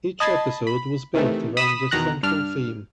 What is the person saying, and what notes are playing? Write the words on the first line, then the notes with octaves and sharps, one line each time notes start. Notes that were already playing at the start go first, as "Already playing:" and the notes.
Each episode was built around a central theme.
D#5 A5 B5 G#6 A6 C7
B5
C3 D#3 E3 A3
B5 D#6 B6 D#7 E7
E2 B2 D#3 A#5 F#6
G2 D4 F6